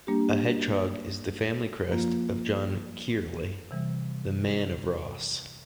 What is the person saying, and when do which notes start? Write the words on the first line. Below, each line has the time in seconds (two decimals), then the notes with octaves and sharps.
A hedgehog is the family crest of John Kyrle, the "Man of Ross".
0.07 G3 A#3 D4 G4
1.89 F3 A#3 F4
3.71 C3 E3 G3